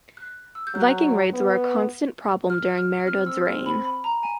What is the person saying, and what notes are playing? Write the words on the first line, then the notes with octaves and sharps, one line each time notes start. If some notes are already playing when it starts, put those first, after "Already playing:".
Viking raids were a constant problem during Maredudd's reign.
F#6
E6
G6
F#3 F#6
B3
F6
F6
C4 F6
E6
F6
B5
B5
A#5
G#5